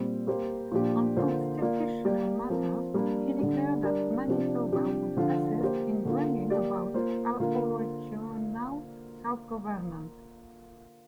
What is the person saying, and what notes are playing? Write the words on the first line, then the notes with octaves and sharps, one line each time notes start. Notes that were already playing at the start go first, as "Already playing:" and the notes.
On constitutional matters, he declared that Manitoba would assist in bringing about aboriginal self-government.
Already playing: A#2 G3 C4 G4
A#3 G4 C5
A#2 F3 D4 G4
D3 A#3 F4 C5
A#3 F4 D5
A#3 G4 A#4 D5
F3 C4 A#4
G3 A#3 D4
D3 G3 D4
G3 D4 A#4 D5
C3 F3 D4 G4 D5
C3 F3 D4 G4
D3 F3 D4 F4
A#3 G4 C5
D3 A#3 F4
A#3 G4 D5
A#3 F4 C5
D3 A#3 F4 A#4